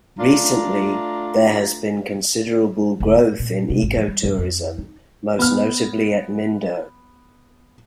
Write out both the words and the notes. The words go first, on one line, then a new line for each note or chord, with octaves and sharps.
Recently, there has been considerable growth in eco-tourism, most notably at Mindo.
A3 D4 F4 A#5
F1
A2
A#2
C3
G#1
F3
G3
F#2
F2
D#4
B3 F6